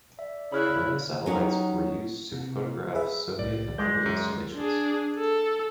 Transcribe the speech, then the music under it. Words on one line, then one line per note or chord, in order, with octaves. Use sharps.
Corona satellites were used to photograph Soviet and other installations.
D5 E5
C#3 E4 B5 F6 F#6
F#3 C#4 D#4 G4 F#5
C3
G#4 B4 E5
C2 A2 D5
G#3 D6 G6
F#2
D4 G#4
A4